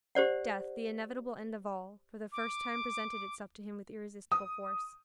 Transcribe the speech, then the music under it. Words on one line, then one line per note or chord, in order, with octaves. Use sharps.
Death, the inevitable end of all, for the first time presented itself to him with irresistible force.
G4 C5 D5 F#5
D6
D#6